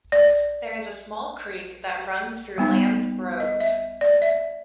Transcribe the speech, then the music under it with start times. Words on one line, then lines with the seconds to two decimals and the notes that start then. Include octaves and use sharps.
There is a small creek that runs though Lambs Grove.
0.12 D5
2.58 G3 B3 D#4
3.40 D#5
3.60 E5
4.01 D5
4.22 E5